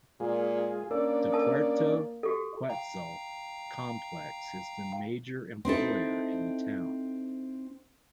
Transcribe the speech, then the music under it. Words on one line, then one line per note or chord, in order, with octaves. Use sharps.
The Puerto Quetzal complex is the major employer in the town.
A#2 G#3 F4 G#4
A#3 C#4 D4 A#4 D5
A#4 A5 D#6
F#4 G4 A4
F5 G5 A#5
C4 D#4 E4 A4